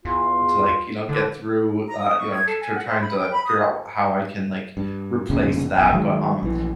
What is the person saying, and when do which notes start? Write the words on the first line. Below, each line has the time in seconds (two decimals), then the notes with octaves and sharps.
to, like, you know, get through, uh, you know, tr tr trying to figure out how I can, like, replace that, but, um,
0.05 E2 F4
1.09 D3
1.87 A#5
2.00 D#6
2.17 C#6
2.31 G#6
2.46 A4
2.60 G#5
2.74 F#5
2.86 C5
3.00 B5
3.16 G5
3.32 B5
3.44 D#6
4.77 G2
5.30 F1 E2 A#2 C#3
5.78 A#1 E2
5.93 D#3 F#3 G#3
6.43 A#1 E3